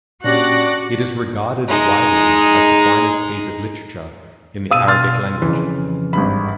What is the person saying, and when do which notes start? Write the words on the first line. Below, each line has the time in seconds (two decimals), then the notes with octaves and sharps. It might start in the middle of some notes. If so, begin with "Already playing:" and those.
It is regarded widely as the finest piece of literature in the Arabic language.
0.24 A#2 C#4 D4 F#4 G4 D5 F#6 A#6
1.68 G#3 D#4
4.71 B2 F5 D#6 E6 D#7
4.87 C6 F6 A6
5.42 F2 C#3 E3
6.13 G#1 G2 B5